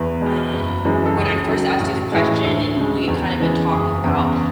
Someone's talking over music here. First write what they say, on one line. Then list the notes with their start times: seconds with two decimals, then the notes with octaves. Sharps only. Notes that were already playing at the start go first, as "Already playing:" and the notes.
Um, when I first asked you the question and we had kinda been talking about
Already playing: E2 B4
0.21 B2 G#3
0.53 F#1
0.85 F#2 E3 G#3
1.05 A4
1.16 C#2 G#4
1.48 C#3 F#3 A4
1.80 A1
2.12 A2 E3 G#3
2.44 D2 A4
2.76 C#3 G#3
3.08 E2
3.40 C#3 E3 G#3
3.72 F#1 G#4
4.04 E2 C#3